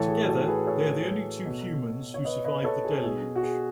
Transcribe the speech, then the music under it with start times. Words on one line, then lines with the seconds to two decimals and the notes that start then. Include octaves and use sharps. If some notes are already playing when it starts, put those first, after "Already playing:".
Together they are the only two humans who survived the deluge.
Already playing: A2 E3 A4 C#5
0.08 G#4
0.28 F#4 A4
0.47 G#4 B4
0.67 A4 C#5
1.45 B2
2.14 C#5
2.25 B4 D#5
2.44 B4 D#5
2.64 A4 C#5
2.84 G#4
3.03 B2 G#4
3.36 F#4
3.43 G#4